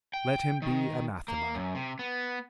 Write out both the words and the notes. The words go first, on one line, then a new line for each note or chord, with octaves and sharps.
Let him be anathema....
G5
D#3
A#3
F#2
C3
B3